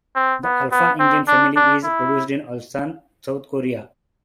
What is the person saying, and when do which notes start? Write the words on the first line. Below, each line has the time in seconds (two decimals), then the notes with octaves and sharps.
The Alpha engine family is produced in Ulsan, South Korea.
0.16 C4
0.44 B3
0.72 B3
0.99 C4
1.28 D4
1.56 D4
1.84 E4